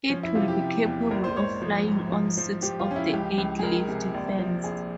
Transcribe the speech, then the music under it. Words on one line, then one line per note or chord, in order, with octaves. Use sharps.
It will be capable of flying on six of the eight lift fans.
F3 C#4
E4
C3 F4
G4
C3
E2
A#1 A#4
C5
G#2 C#5
F3
G#2
F3
F3
F3 G4
F4
F3 C#4
E4
C#2 G4
C#2
G#4
C#2 A#4
C3
A#1
F3
A#1 G#4